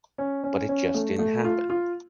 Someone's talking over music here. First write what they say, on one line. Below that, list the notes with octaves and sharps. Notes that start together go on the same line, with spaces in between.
But it just didn't happen.
C#4
C#4
C#4
A3
A3
F4
F4